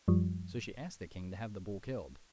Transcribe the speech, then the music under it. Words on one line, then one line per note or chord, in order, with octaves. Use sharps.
So she asked the king to have the bull killed.
F#2 F3 G3